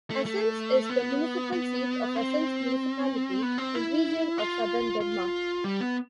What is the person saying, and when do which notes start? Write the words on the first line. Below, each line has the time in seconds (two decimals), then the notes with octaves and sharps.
Assens is the municipal seat of Assens Municipality in Region of Southern Denmark.
0.10 A3
0.26 A3
0.89 B3
1.52 B3
2.16 C4
3.42 B3
3.58 C4
3.75 E4
4.38 F4
5.01 F4
5.64 G3
5.81 B3